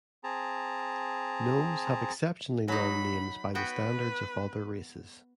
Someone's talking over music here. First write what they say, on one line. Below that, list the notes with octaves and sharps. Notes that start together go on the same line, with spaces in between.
Gnomes have exceptionally long names by the standards of other races.
C4 G#4 A5 A#5
F#3 D#4 B5
B3 F#4 B4 G5